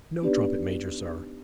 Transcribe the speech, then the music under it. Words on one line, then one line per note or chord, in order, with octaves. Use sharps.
'No, trumpet-major, sir.
B3 D4 D#4 G4 B4 D5